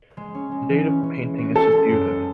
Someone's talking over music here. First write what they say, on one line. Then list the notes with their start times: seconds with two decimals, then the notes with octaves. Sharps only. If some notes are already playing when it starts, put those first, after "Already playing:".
The date of the painting is disputed.
0.17 G#3
0.35 C#4
0.52 G#3
0.70 E3
0.87 C#4
1.04 C#4
1.21 G#3
1.38 F#4
1.56 C#4 A4
1.74 G#3
1.90 F#2
2.08 G#3